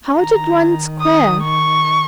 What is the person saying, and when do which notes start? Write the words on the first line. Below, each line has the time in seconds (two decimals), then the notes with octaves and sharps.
How did one square?
0.17 D#3 A#5
1.01 D#6
1.43 C#6